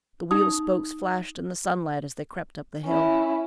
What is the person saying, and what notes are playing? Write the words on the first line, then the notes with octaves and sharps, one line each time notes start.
The wheel spokes flashed in the sunlight as they crept up the hill.
D#4 D#6
C#4 E4